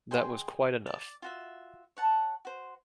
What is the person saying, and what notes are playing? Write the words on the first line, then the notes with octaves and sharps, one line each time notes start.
That was quite enough.
G#4 D#5 G5 C6
D5
F4 F#4 E5
C#5 F#5 A5
F#4 C5